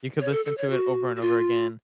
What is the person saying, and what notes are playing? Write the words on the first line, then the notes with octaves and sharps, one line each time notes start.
you could listen to it over and over again,
C#5
A4
A4
C#5
F#4
F#4
F4